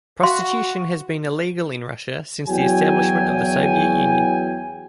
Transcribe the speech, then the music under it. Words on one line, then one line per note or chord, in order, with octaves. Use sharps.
Prostitution has been illegal in Russia since the establishment of the Soviet Union.
F#4 F5 C6
E2 F#3 G5 G#5